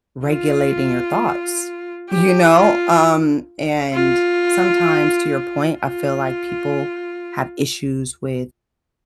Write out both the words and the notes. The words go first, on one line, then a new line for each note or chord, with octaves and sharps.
regulating your thoughts. You know? Um, and sometimes, to your point, I feel like people have issues with
F4
G4
F4
F4
F4